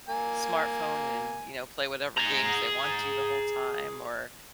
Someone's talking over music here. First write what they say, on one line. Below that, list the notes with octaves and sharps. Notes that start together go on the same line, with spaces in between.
smartphone and, you know, play whatever games they want to the whole time or
A#3 G#5
G#4 A#5